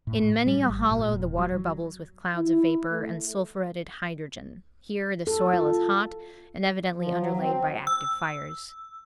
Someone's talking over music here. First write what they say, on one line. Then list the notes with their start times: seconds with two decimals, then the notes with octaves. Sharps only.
In many a hollow the water bubbles with clouds of vapor and sulphuretted hydrogen; here the soil is hot and evidently underlaid by active fires.
0.07 A2
0.47 G3
0.69 G#1
0.91 A#2
1.14 E1
1.38 F#3
2.34 E4
2.90 A3
5.27 A4
5.53 F4
6.96 F3
7.18 F#3
7.39 C4
7.87 E6